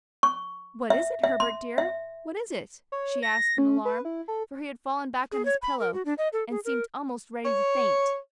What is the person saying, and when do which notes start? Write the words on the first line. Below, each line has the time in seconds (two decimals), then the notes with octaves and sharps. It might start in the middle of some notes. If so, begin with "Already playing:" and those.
"What is it, Herbert dear, what is it?" she asked in alarm; for he had fallen back on his pillow, and seemed almost ready to faint.
0.23 C#6
0.90 E5
1.24 E5
1.40 C6
1.78 E5
2.92 C#5
3.23 A#6
3.58 C#4
3.85 B4
4.05 E4
4.28 A4
5.32 G#4
5.45 C#5
5.62 B5
5.79 A#4
5.94 F#4
6.05 D4
6.18 D#5
6.33 A4
6.50 G#4
6.65 A#4
7.45 C#5